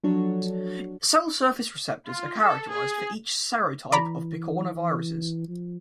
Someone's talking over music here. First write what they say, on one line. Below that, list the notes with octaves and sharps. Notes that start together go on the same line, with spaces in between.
Cell surface receptors are characterized for each serotype of picornaviruses.
F3 F#3 D4 F#4 A4 C#5
F4
A4
G#4
E3 D5 A#5 B5
F3